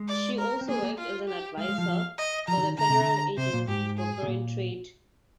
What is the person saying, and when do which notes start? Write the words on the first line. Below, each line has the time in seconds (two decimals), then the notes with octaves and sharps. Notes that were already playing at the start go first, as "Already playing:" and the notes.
She also worked as an advisor for the Federal Agency for Foreign Trade.
Already playing: G#3
0.08 D5
0.38 A#4
0.61 C4
0.68 A#3 G#4
0.83 A#3
0.98 F4
1.28 G4
1.57 G#3 F5
1.69 G#3
1.78 F3
1.88 F3
2.18 D#5
2.48 F3 A#5
2.57 D3
2.63 D#3
2.78 D3 A#5
2.89 C3
3.00 D3
3.37 C3 C5
3.53 A#2
3.68 G#2 G4
3.98 G#4
4.22 C3
4.27 A#2